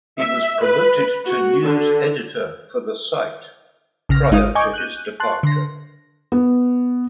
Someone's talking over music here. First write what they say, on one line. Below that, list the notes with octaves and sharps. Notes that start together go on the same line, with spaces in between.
He was promoted to news editor for the site prior to his departure.
E5
B4
F#4
D3
A#1 C#3 F6 A#6
G#1 G#3 D#4 F4 D#6
D#5 G#5 C#6 D6 G6 G#6
F#6 G6 D#7
A5 C6 F#6
D3 C6 A#6
B3